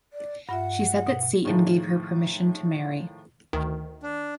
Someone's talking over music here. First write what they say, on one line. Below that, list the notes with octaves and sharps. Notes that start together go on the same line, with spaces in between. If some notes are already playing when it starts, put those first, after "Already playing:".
She said that Satan gave her permission to marry.
D5
G2 F4 E5 F#5
B2
A2 D#3 F3 G#3
D2 D#3
D4